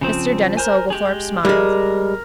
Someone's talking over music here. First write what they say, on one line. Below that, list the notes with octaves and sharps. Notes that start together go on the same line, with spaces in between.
Mr. Denis Oglethorpe smiled.
C#3 F3 C4
A#4 C5 G#5
G#3 G4 G#4
G3 G#3 A#4